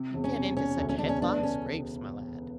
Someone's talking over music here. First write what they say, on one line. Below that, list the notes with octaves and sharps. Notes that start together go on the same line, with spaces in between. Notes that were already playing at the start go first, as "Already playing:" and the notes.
"You get into such headlong scrapes, my lad."
Already playing: C3
E1
C#4
C3
C3 C#4
D2
C#4
E1 D4
C#4
B3 D4
C#3 C#4